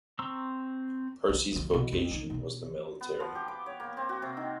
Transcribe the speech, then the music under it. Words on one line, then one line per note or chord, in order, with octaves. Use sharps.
Percy's vocation was the military.
C4 A#5 C6 C#6 E6
E3 B3
D2 F3
B2 E3
F2
D#3
B2 E3
B3
F3
G4
D6
C#5
A#3
C4
F#4
C3
D#3